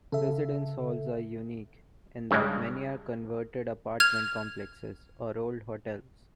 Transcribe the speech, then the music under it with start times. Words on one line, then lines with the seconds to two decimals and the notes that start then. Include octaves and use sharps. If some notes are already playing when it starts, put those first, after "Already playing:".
Residence halls are unique in that many are converted apartment complexes or old hotels.
0.12 C#3 A4 E5
2.31 G2 C#3 G3 G#3
4.00 F6 G#6 F7